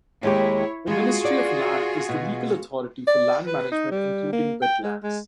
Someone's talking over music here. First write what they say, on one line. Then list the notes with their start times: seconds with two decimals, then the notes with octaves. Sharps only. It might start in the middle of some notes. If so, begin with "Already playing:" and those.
The Ministry of Land is the legal authority for land management including wetlands.
0.23 D#2 G#3 E4 G4 C#5
0.87 G#3 F4 F#4 G#4
1.25 D5
2.09 B2
3.07 D5
3.47 B4
3.72 D#4
3.91 G3
4.33 A#3
4.62 G5
4.83 G#3
5.03 G#3